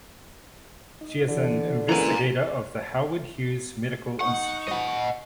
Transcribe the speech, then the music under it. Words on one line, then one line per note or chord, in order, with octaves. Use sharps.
She is an Investigator of the Howard Hughes Medical Institute.
D#4
D3 E3
E3 A#3 C#4 G#4 A#4 G#5 A#5
D#4 F#5 C#6
D#5 F#5